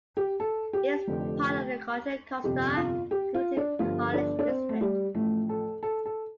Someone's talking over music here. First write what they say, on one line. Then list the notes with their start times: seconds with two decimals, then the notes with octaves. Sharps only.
It is part of the Contra Costa Community College District.
0.17 G4
0.40 A4
0.73 G4
1.07 F1 F2 D3 F3
2.44 G1 F2 C3 G4
2.77 F4
3.11 G4
3.35 F4
3.57 D4
3.79 G1 G2 F3 F4
4.14 D4
4.39 D4
4.48 C4
4.69 A3
4.81 G3
5.15 A1 A2 F3 A3
5.49 A4
5.83 A4
6.06 A4